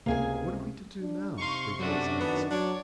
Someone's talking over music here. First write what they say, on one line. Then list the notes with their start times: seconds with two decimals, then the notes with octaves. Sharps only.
"What are we to do now?" her voice asked.
0.06 C#2 C3 A#3 G#4 G#5
1.01 D4
1.38 C3 D#4 F5 C6 C#6
1.79 F#2 A3 D4 F#4
2.20 D#3 B3
2.51 F#3 D4 C#5 D5